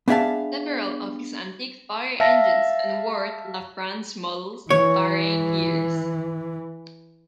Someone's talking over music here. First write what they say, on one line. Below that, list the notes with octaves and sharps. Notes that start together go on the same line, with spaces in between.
Several of his antique fire engines are Ward LaFrance models of varying years.
B3 D4 G#4 E5 F5 A5
E5 F5 A5 A#6
E3 C#5